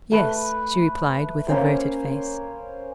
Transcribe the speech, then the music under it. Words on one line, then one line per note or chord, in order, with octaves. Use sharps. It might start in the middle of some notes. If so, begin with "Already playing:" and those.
"Yes," she replied with averted face.
A3 B4
A#3 C#4 C5